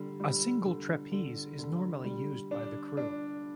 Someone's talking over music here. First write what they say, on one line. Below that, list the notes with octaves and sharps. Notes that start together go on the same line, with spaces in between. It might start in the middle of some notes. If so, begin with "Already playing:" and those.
A single trapeze is normally used by the crew.
Already playing: D3 G3
G3
D3
D3
D3
G3
D4
D4